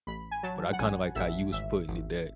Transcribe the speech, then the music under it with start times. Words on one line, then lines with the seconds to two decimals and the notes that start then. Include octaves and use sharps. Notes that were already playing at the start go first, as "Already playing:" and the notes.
But I kinda like how you was putting it that
0.07 A1 B5
0.31 G#5
0.43 F#3 A5
0.73 F#5
0.79 A1 G#5
1.16 A1 E5
1.52 G#1 E5
1.88 G#1